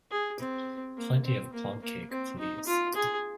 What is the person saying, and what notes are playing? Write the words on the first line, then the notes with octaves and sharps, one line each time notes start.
Plenty of plum-cake, please.
G#4
C4
A#3
C4
A#3
A#3
C4
D#4
F4
G#4